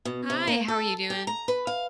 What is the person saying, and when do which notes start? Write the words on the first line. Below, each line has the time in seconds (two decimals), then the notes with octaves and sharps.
Hi, how are you doing?
0.05 B2
0.30 C3
0.47 A#3
0.68 A4
1.10 G4
1.27 A#5
1.48 B4
1.67 F5